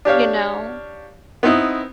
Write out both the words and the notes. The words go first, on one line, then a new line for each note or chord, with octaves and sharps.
you know,
D4 G4 C#5 F5
B3 C4 D#4 E4